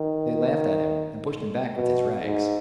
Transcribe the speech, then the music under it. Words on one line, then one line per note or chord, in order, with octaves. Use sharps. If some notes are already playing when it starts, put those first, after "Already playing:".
They laughed at him, and pushed him back, with his rags.
Already playing: D#3
B2
G#2